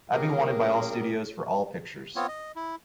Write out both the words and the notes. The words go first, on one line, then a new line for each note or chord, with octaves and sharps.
I'd be wanted by all studios for all pictures.
A#2 G3 A#3 C#4 G#4 A#4
B3 C4 F4 C#5
D#5
E4